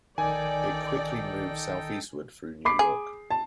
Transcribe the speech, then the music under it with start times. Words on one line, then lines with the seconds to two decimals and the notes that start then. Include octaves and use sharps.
It quickly moved southeastward through New York.
0.18 A#1 D#3 D#4 A4 D5 G5 G#5
2.65 B5 D6 C7
2.79 G#4
3.31 A5